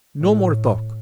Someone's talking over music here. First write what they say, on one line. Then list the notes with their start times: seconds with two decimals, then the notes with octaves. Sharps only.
No more talk!
0.21 A2